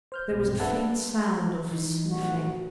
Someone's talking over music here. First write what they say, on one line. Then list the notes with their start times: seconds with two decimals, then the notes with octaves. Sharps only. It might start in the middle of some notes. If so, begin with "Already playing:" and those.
There was a faint sound of sniffing.
0.12 C5 F6 G6
0.31 A#1 B2
0.46 G2 B2 C4
0.60 D4 A4 B4 E5 F#5 A5
1.71 E3 D#4
2.10 A1 F#4